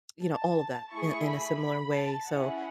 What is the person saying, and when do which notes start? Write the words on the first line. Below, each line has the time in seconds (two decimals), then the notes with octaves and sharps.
you know, all of that, in in a similar way. So,
0.23 A5
0.91 A3 E4 G#4 C#6
1.27 B5
1.61 B5
1.95 A5
2.30 C#4 E4 G#4 F#5